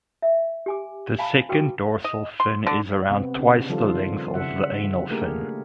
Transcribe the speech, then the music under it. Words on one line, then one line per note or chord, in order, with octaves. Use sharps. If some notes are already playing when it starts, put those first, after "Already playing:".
The second dorsal fin is around twice the length of the anal fin.
E5
G4 G#5 D6
F5 G#5 A5 B5
F#4 B4 G5 C#6 D6
D#5
C6
D3
C3 B3 C4
C#3 D4
D#3 F3 G3 F4 A4
C#3 E5 F#5
A3 A#3 D4 G4 G#4 A#4